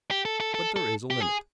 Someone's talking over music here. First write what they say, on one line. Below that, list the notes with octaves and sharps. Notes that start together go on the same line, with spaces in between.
But there is a limit.
G4
A4
A4
A4
A4
G4
G#4